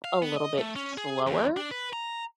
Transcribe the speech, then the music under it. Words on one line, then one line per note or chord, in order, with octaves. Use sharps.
a little bit slower.
F5
B3
D#5
A3
C#4
G#4
E2
D4
B4
A#5